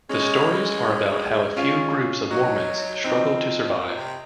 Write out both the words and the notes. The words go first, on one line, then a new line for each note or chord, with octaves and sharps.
The stories are about how a few groups of Mormons struggle to survive.
G#3 C#4
C#4 F4
F#3 D#4 F#4
F3 C4 D#4
G#2
A#2
C3